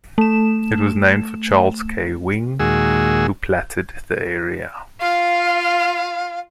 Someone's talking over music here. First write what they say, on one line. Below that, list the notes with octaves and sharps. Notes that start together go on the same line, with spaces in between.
It was named for Charles K. Wing, who platted the area.
A3 E7
D#2 A#2 G#3 F#4 G#4 E6
F4 F5